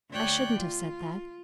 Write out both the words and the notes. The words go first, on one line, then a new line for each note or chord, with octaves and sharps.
I shouldn't have said that.
D2 C#5 D5 G5 F#6
F4